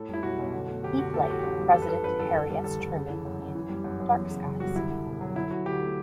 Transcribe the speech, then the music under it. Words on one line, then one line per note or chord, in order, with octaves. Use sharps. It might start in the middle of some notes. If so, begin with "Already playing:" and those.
He played President Harry S. Truman in "Dark Skies".
Already playing: A2 A4
G3 E4
B1 F#4
B1
D3
A3
D2 G4
D2 F#4
A2 A4
G4
E3 F#4
A1 G4
G3
G2 A4
B4
E3 A4
A1 B4
A1 A4
D3
G3
D2 A4
D2
C#3
E3
F#2
F#2
E3
G3
F#2
F#2
E2
C#3
F#1
G3 F#4
D2 E4
D3
E1
F#3
D3 E4
F#3 F#4
D2 G4
A3